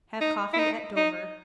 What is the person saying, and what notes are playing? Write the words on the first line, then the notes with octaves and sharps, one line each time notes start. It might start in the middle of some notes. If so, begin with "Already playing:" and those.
Have coffee at Dover.
D#4
E4
D#4
D#4